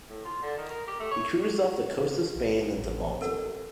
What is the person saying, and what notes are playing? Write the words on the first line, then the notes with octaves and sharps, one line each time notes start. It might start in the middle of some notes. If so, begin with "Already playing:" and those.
He cruised off the coast of Spain and to Malta.
A2
F4
D3
D#3
A#4
G4
A3
C#5
C#3 F5
B1
A1
C4 A4 A#4 F#5